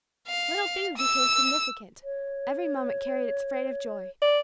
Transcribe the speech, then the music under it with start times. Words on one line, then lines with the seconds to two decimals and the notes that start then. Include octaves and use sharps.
Little things became significant; every moment carried its freight of joy.
0.27 F5
0.97 E6
2.04 C#5
4.22 D5